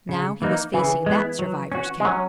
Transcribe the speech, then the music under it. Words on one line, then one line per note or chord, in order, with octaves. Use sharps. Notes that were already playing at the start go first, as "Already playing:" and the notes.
Now he was facing that survivor's camp.
C#3
E3 A#3 D#4
C#3 E3
G#3 B3 E4
F#3
C#4 F#4
G#3
F#3 C#4